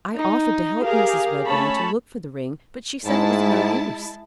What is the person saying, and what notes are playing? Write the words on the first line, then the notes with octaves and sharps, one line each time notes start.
I offered to help Mrs. Redmain to look for the ring, but she said it was no use.
D#4
G4 G#4 A#4 F5
A3 C#4 C#5 A5 B5
G#2 G#3 E4 A5